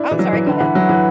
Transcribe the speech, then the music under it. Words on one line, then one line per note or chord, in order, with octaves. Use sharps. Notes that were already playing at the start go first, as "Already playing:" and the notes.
Oh, I'm sorry, go ahead.
Already playing: D4 E4
E3
F#3
E3
D3 E4 B4 F#5
E3
F#3
E3